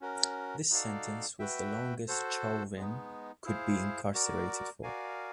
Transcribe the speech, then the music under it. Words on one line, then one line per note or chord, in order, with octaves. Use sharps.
This sentence was the longest Chauvin could be incarcerated for.
C#4 F#4 A#4
D#4 F#4 A4 D5 F5
F#4 B4 E5 G5
F#4 A4 C5
G#3 B3 D#4
E4 G#4 C5 F5
F#4 A#4 D5
F#4 A#4 D5 F5 G#5